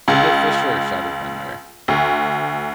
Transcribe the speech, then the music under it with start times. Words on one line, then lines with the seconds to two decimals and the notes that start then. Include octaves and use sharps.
"To the fissure!" shouted Ventnor.
0.08 C#2
1.88 D2